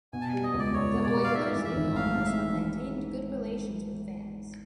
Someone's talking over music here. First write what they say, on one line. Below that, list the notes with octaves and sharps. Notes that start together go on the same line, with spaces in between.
The Oilers' new owners have maintained good relations with fans.
B2 G#5
A5
G3 G#5
D#5
C#2
D5
C#2 C#5
B2
D5
G3
F5
G#2 E5
E3
E5
G#1
A3 F5
G#2
E5
E3